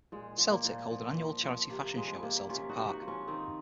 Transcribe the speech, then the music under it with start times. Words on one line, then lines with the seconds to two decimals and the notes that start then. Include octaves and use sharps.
Celtic hold an annual charity fashion show at Celtic Park.
0.12 A#2 G#3
0.38 F3
0.52 A#3
0.65 A#2
0.90 F3
1.18 F3
1.43 F3
1.69 C3 A#3
1.96 F3 G#3
2.22 C3 A#3
2.49 C3 C#4 F4
2.69 D#4 F#4
2.76 C3
2.88 D#4 F#4
3.01 F3
3.08 C#4 F4
3.27 D#3 C4 D#4